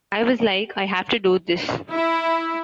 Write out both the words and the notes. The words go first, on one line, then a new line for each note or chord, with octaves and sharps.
I was like, 'I have to do this.
E4